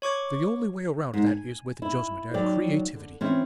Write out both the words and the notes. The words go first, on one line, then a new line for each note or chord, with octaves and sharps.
The only way around that is with judgment and creativity.
C#5 C#6 D6 G#6
G#2
G#5
E4
D#2 F#3 D5 G5
D3
E3 C4 C#4